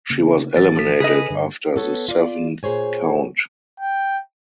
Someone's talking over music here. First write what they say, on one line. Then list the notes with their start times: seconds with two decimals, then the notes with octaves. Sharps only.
She was eliminated after the seventh count.
0.10 C#3 A#3
0.56 A1 E3 F3 A6
0.76 A4 B6
1.00 C#3 G#4 B4 D#5
1.30 G2 D3
1.76 B3 A4 C#5
2.08 F4 D5
2.63 A#2 G#4 C5 C#5 G#5
3.80 G5